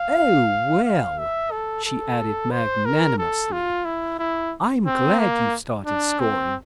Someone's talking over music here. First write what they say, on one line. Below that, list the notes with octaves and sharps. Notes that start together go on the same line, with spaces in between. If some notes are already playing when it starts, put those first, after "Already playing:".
Oh, well," she added magnanimously, "I'm glad you've started scoring.
Already playing: F5
F5
E5
A4
A4
C5
A#4
A4
F4
E4
E4
C4
A#3
D4
C4